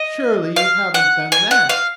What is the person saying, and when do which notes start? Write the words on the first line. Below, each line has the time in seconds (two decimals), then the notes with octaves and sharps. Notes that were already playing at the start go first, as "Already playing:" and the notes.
"Surely you haven't done that?"
Already playing: D#5
0.56 F5
0.94 F#5
1.32 G#5
1.51 F#5
1.69 F5